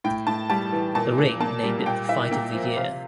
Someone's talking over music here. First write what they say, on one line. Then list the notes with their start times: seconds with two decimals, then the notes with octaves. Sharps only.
"The Ring" named it the fight of the year.
0.04 A2 G5
0.27 A2 A5
0.50 G3 A5
0.72 E3
0.95 A#2 A5
1.18 A#2
1.40 A#3 A5
1.63 G3
1.86 A#2 G5
2.08 E4 E5
2.31 A#3 G5
2.54 F3
2.77 C3 F5